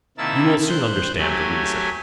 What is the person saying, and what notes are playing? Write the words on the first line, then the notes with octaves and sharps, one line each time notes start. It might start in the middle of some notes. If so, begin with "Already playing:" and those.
You will soon understand the reason.
C3 D#3 A#3 E4 A5 E6
C5 F#6 G6
F#3 A3 G4 G#5